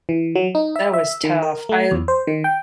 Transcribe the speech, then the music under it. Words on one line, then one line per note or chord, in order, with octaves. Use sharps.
That was tough, I l
E3
F#3
D#4
E5
E5
D#3
A#4
A3
E2
C5
D#3
G5